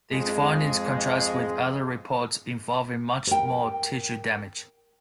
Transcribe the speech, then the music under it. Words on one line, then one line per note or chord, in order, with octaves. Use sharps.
These findings contrast with other reports involving much more tissue damage.
F2 G#3
A#4 G5